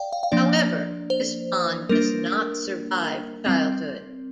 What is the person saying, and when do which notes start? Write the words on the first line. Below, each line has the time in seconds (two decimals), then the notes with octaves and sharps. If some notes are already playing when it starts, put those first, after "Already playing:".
However, this bond does not survive childhood.
Already playing: D5 F5 G5
0.13 F5
0.23 F5
0.32 F3 A#3 D4 D5
1.10 C5
1.89 G3 A#3 D4 A#4
3.46 G3 C4